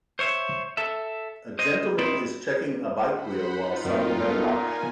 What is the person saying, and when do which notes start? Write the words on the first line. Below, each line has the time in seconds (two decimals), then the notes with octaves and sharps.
A gentleman is checking a bike wheel while some women watch.
0.19 C5 C#5 E5
0.77 A4 E5
1.59 C5 D#5
1.98 C4 D#4 E4 D5
3.14 C5 F#5 B5
3.54 D#4 F4
3.84 F#2 D#3 C4
4.20 A#2 B3 A4
4.50 B3 A#4 G#5